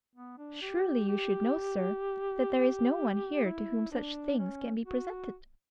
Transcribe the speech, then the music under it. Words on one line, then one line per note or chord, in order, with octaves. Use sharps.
"Surely you should know, sir, that there is no one here to whom such things can be presented!"
B3
D4
G4
G4
E4
D4
C#4
F#4